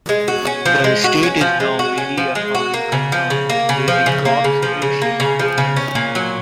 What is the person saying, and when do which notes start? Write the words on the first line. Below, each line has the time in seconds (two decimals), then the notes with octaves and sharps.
The estate is now mainly a farming concern, raising crops and sheep.
0.09 G#3
0.28 F#4
0.47 C#4
0.66 F3
0.84 G#3
1.04 F#4
1.23 C#4
1.41 F3
1.60 G#3
1.79 F#4
1.98 C#4
2.17 F3
2.35 G#3
2.55 F#4
2.74 A#3
2.92 C#3
3.12 F3
3.30 C#3
3.49 A#3
3.69 C#3
3.88 F3
4.06 C#3
4.25 A#3
4.44 C#3
4.62 F3
4.82 C#3
5.02 A#3
5.20 C#3
5.39 F3
5.58 C#3
5.76 C#4
5.95 A#2
6.15 F#3